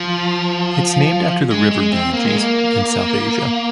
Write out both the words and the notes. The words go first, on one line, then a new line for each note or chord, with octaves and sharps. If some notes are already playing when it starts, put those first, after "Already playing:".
It is named after the River Ganges in South Asia.
Already playing: F3
G#3
G#3
C4
A#3
G#3
A#3